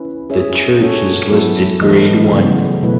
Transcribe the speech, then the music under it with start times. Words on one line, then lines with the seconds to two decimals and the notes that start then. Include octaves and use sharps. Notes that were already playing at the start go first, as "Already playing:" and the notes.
The church is listed Grade One.
Already playing: C#4 E4 B4
0.30 C#4 G#4 C#5 E5
0.80 C#4 F#4 A4 C#5
1.30 F#3 B3 E4 A4
1.81 E3 A3 E4 A4 D#5
2.32 C#3 F#3 B3
2.83 B2 F#3 A3 E4 B4